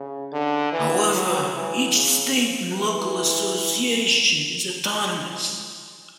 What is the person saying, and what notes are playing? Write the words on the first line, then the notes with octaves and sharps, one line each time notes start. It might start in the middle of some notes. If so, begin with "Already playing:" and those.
However, each state and local association is autonomous.
Already playing: C#3
D3
E3
F#3
E3
C#3
E3